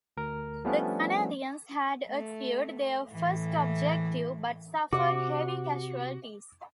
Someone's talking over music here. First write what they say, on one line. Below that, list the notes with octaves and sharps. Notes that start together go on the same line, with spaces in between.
The Canadians had achieved their first objective, but suffered heavy casualties.
D2 A#4
F3 G3 A3 B3 C#4 D4
A3
A2 E3
C3 F#4 D6